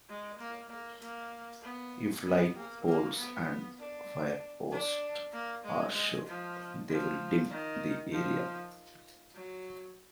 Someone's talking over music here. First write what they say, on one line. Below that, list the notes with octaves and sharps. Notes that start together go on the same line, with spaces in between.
If light poles and firepots are shot, they will dim the area.
G#3
A#3
A#3
A#3
B3
B3
A#3
A#3
B3
D4
D4
A#3
G#3
G#3
F3
F3
D#3
F3
F#3